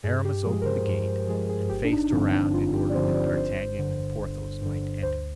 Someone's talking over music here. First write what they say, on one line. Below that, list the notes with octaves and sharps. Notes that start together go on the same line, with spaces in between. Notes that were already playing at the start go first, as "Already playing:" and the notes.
Aramis opened the gate and faced around in order that D'Artagnan and Porthos might enter.
G2 G#4
G4
F3 G#3 G#4
A#4
C5
G2 C5
F3 G#3 G#4
G#4
G1 G4
D4
D#4
G2 D3 F3 C4 D4
D4
G1 F4
G4
D5
G2 D3 F3 C4 C5
D5
G1 C5
G2 D3
G1
G2 D3
D2 C5